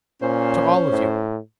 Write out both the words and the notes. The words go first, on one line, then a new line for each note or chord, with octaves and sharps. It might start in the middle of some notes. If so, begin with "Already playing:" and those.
To all of you.
A#2 C#4 C5
A2